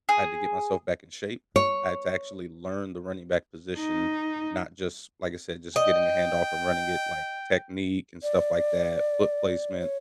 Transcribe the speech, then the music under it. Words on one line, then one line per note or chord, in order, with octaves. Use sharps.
I had to get myself back in shape. I had to actually learn the running back position, not just, like I said, just getting a hand off and running it, like, technique and stuff like that, foot placement,
G#4
C#5
D#4
D#5 G5
D5
C#5